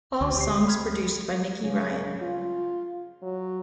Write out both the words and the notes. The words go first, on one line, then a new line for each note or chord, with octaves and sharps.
All songs produced by Nicky Ryan.
D2 B2 C4
G4 G5 C7
B5 F6 G#6
C#3
F4
F#3